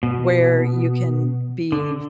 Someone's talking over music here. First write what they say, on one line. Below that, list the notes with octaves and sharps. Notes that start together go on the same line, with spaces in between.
where you can be f
B2
D3